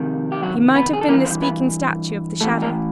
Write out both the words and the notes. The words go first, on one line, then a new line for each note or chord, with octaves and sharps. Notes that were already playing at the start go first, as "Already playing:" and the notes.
He might have been the speaking statue of the shadow.
Already playing: F2 C3 D#3
G4
F#3 F#4
B3 B4
G#4
A4
G2 E3 A#3 A#4
C4 C5
B3 B4
A2 E3 A3 A4
A#3 A#4